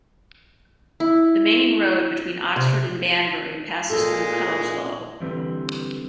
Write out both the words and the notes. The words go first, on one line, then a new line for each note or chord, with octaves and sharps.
The main road between Oxford and Banbury passes through Cutteslowe.
E4
C3
A#2 G#3 A4
D3 E3 G3 C4 B4